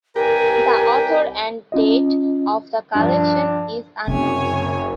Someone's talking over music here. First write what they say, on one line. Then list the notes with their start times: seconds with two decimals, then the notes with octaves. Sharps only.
The author and date of the collection is unknown.
0.16 C2 G4 A#4 B4 G5 G#5
1.72 C#4 F4 D#5
2.95 G2 F3 D4
4.07 F#1 C3 C#5 G#5